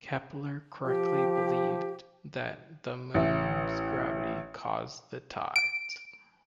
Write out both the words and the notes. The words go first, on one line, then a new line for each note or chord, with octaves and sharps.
Kepler correctly believed that the Moon's gravity caused the tides.
F3 G4
A1 E5
D7